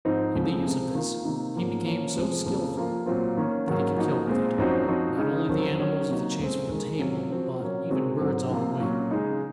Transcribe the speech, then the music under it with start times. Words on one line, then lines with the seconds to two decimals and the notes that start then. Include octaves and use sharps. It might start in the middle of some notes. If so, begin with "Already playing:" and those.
In the use of this he became so skilful, that he could kill with it not only the animals of the chase for the table, but even birds on the wing.
0.05 G#2 F3 C4 D#4
0.35 F2 C#3 F3 G#3
0.65 C3 F3 G#3 C4
0.95 D#3 A#3 F4
1.25 C3 D#3 A#3 D#4
1.55 G#2 F3 A#3 C#4 F4
1.86 F3 A#3 C#4
2.16 F2 C3 F3 G#3
2.46 F2 C#3 F3 A#3
2.76 F3 A#3 F4
3.06 A#2 F#3 C4 F4
3.37 D#3 A#3 C#4
3.67 G#2 D#3 F#3 A#3 C#4
3.97 F3 A#3 D#4 F#4
4.27 A#2 G#3 C4
4.58 F#2 F3 C4 D#4 F#4
4.88 F3 C4 D#4 F#4
5.18 C#3 G#3 D#4
5.48 F2 D#3 F#3 C4
5.79 D#3 F#3 C#4
6.09 C3 F#3 A#3 D#4 F#4
6.39 F2 C#3 G#3 C4
6.69 F2 D#3 G#3
6.99 C3 F#3 C#4 F4
7.30 F3 C4 F#4
7.60 A#2 F#3 A#3 C#4
7.90 C3 D#3 G#3 C4 F#4
8.20 G#2 F#3 C4
8.50 C3 F3 A#3 F4
8.80 A#2 F#3 C#4 F#4
9.11 C#3 G#3 D#4